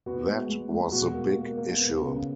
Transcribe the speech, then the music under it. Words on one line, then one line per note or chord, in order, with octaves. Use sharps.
That was the big issue.
B3 F#4
G#3
G#3
G#3
B2 F#4
A#3
A#3
A#3
B3
C#3